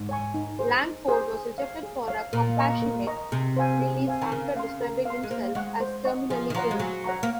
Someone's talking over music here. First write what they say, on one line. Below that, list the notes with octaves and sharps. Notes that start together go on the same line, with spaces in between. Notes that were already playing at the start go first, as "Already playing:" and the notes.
Langford was rejected for a compassionate release after describing himself as "terminally-ill".
Already playing: G#2
C#5 G#5 C#6
D#4
G#4 C5
D#4
G#4 C5
G#4
C#5 F5
G#4
C#5 F5
A#2 A#4
D#5 A#5 C#6
A#4
D#5 A#5 C#6
C3 G#4
C5 F5 G#5
G#4
C5 F5 G#5
D#3
C#3 A#4
F5 C6
A#4
F5 C6
G#3
A#3 C5
G#3 D#5 F#5 C#6
C5
D#5 F#5 C#6
F3 G#4
D#3
F3 C#5 F#5 A#5 C#6
G#3
F#3 G#4
C#5 F#5 A#5 C#6
A#3